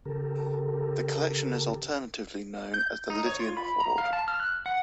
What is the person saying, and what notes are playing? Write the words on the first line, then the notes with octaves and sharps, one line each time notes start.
The collection is alternatively known as the "Lydian Hoard".
C#3 G4 A4 A#4
G6
D#4
C#5
F4
B5
A#5
F5
A5
F6
F#6
F#5